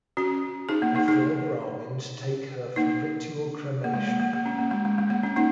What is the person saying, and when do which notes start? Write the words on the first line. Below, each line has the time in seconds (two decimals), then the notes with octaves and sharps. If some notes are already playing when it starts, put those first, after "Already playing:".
The four Brahmins take her for ritual cremation.
0.17 C#4 F#4
0.69 D#4 G#4
0.82 A#3
0.95 A#3 D#4
1.08 D#4 G#4
2.76 A#3 D#4
3.84 A#3
3.94 G#3
4.07 A#3
4.20 A#3
4.33 A#3
4.46 C#4
4.59 A#3
4.71 G#3
4.85 G#3
4.98 G#3
5.10 A#3
5.23 C#4
5.36 A#3 D#4